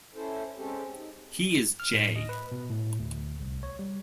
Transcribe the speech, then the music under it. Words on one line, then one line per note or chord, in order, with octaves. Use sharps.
He is J.
C#4 E4 A4 C5
G#3 C4 C#4 G4 A4
D#4
F6
A2
D#5
B4
B2
A2
D2
C2
C#5
G3